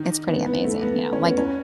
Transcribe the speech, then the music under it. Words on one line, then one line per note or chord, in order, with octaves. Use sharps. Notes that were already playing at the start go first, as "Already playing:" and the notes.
It's pretty amazing, you know, like,
Already playing: D#3
B3
B3
A3
B3
C#4
B3
C#4